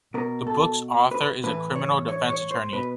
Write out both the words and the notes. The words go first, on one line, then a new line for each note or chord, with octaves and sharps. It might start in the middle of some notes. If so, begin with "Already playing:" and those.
The book's author is a criminal defense attorney.
B2 A#4
A4
B4
A2 E3 B4
C#5
C#5
C#5
C5
B2 B4